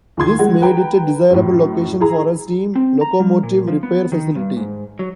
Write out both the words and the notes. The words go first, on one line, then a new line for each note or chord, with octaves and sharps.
This made it a desirable location for a steam locomotive repair facility.
D#2 F4 C6 G#6
G3 G#3 F#5
B4 G5 A#5
F#2 A2
E4 G#4 A#5
C4
A#5
G3
A#2
F3
B3
D#3
G2
G#2
F#3